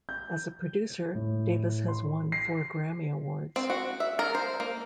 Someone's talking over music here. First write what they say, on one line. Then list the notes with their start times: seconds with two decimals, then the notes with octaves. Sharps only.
As a producer, Davis has won four Grammy Awards.
0.09 G6
1.15 A2
1.88 C6
2.32 C7
3.56 C4
3.70 F#4
4.00 E5
4.19 A#4
4.35 C5
4.60 A#3